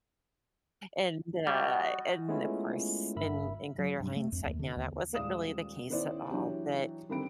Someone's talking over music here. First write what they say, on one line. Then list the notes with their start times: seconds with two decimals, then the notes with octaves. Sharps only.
and, uh and, of course, in in greater hindsight now, that wasn't really the case at all, but,
1.47 G3 F#4 D#5
2.28 G#3 A3 B3 C#4 E4 F4
3.16 G1 G2 A#4 E5 B5
3.78 F#3
4.00 G2
4.16 A3
4.32 F2
4.45 D#2
4.59 D3
4.76 D#2
5.14 D#1 G#3 D5 F5 D#6 E7
5.90 D#3 B3 C#4 E4 C5 D5
6.30 E3 F#3 D4 G4
7.09 D3 D#3 G3 C4 B5 D7